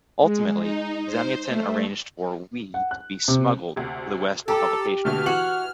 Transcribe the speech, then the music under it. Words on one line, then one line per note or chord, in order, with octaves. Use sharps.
Ultimately, Zamyatin arranged for "We" to be smuggled to the West for publication.
G#3
D#4
C5
A3
F#5
F#6
C3
D2 C3
G4 A4 A5 A#5 D6
B2 D3 A3 F6
E3 F#4 F#7